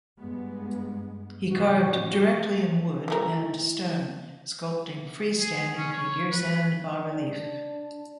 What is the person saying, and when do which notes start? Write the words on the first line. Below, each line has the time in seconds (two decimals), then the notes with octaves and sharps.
He carved directly in wood and stone, sculpting free-standing figures and bas relief.
0.18 G2 G#3 B3
1.48 A2 C#3 F3 F#4
3.08 E3 A3 E4 A#4
5.40 G#4
5.77 C#4
5.92 C#5
6.32 B4
6.97 D4